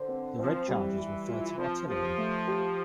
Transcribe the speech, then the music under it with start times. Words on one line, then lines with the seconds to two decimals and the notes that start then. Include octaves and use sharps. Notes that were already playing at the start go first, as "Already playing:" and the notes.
The red charges refer to Artillery.
Already playing: D3 C5
0.08 C4
0.38 F3 C4
0.68 E3 G3
0.99 G3
1.28 F4
1.58 F3 C4
1.87 F3 G4
2.18 A3
2.47 G4